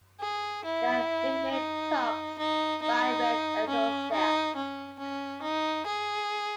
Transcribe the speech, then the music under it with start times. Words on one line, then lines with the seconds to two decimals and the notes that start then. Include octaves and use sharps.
They are nicknamed Tugs by rail enthusiasts.
0.21 G#4
0.65 E4
1.52 D#4
2.39 D#4
2.82 D#4
3.69 C#4
4.12 D#4
4.56 C#4
4.99 C#4
5.42 D#4
5.86 G#4